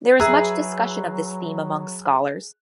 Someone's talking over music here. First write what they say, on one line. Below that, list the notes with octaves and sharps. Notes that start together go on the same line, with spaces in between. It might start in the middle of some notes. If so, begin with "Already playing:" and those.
There is much discussion of this theme among scholars.
F#3 E4 G#4 B4 A#5 E6 F#6